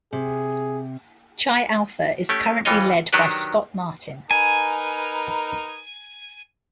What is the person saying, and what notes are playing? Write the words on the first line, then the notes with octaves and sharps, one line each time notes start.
Chi Alpha is currently led by Scott Martin.
C3 G#4
A3 C#4 G4
F2 E3 G3 F4 C#5 D#5
D#3 F#3 D4 F#4 G4 B4
D#4 A#4 B4 G#5